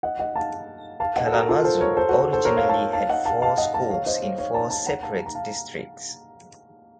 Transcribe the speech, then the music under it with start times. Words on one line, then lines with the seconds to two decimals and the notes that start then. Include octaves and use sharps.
Kalamazoo originally had four schools in four separate districts.
0.03 D#5 F#5
0.19 D#5 F#5
0.36 F5 A5
1.00 F5 A5
1.16 D#5 F#5
1.27 A4
1.32 F#4 A#4
1.49 F4 A4
1.64 A4 C5
1.81 A#4 C#5
1.97 A4 C5
2.09 F#4
2.21 F#4
2.33 A4 C5
2.45 A#4 C#5
2.57 C#5 F5
2.69 F5 A5
2.93 F5 A5
3.09 D#5 F#5
3.25 F5 A5
3.42 F5 A5
3.57 D#5 F#5
3.74 F5 A5
3.90 C#5 F5
4.06 C5 D#5
4.22 C#5 F5
4.38 C#5 F5
4.54 F5 A5
4.70 F5 A5
4.86 F#5 A#5
5.03 F5 A5
5.26 A#5
5.35 F5 A5